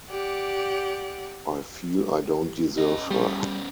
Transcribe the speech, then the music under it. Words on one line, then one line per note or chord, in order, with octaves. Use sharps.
I feel I don’t deserve her.
G4 D5 F#5
C#4 D#5
G3 B3 C#4